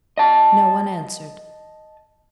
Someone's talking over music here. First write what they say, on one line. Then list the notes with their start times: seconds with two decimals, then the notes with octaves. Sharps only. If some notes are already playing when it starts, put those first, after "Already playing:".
No one answered.
0.18 D#5 A5